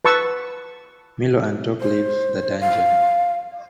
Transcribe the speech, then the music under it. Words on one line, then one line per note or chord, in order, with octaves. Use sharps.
Milo and Tock leave the dungeon.
B4 A5 C#6 E6
C5
F5